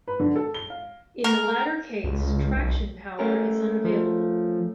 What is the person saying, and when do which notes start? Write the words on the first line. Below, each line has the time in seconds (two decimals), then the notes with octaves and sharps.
In the latter case, traction power is unavailable.
0.08 B4
0.20 D3
0.36 A4
0.54 G7
0.70 F5
1.24 A#4
2.04 C#2
2.56 B1
3.19 A3 C#4 A#4
3.84 F3